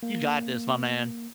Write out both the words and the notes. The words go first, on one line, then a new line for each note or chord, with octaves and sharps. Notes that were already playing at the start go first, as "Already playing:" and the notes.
You got this, my man.
A#3